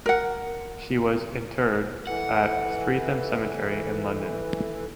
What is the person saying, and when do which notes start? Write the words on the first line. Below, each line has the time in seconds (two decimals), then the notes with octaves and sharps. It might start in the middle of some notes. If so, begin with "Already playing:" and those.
She was interred at Streatham Cemetery in London.
0.06 A#4 F#5
2.07 E3 A4 F#5